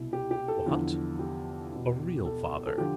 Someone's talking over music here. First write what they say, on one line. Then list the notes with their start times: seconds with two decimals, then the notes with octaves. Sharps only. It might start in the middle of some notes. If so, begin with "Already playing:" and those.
"What? a real father?"
Already playing: C2 B2 E4
0.13 G4
0.31 G4
0.48 A4
0.66 E2 D3 F3 A4
1.19 G4
1.72 E2 B2
2.26 A4
2.67 A4
2.78 D3 F3 G4